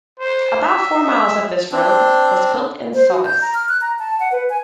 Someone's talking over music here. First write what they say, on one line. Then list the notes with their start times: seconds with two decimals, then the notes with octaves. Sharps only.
About four miles of this road was built in Saugus.
0.19 C5
0.63 E5
1.72 C4 D4
2.94 C5
3.10 F#4
3.25 G6
3.41 A#5
3.54 F6
3.69 F#6
3.81 A#5
3.99 A5
4.20 F#5
4.32 B4
4.50 G#5